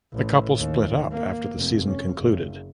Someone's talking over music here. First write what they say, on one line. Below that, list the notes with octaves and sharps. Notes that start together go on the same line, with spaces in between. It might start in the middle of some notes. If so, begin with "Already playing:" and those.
The couple split up after the season concluded.
A1
D#2
A#3
F1
C#4
F#1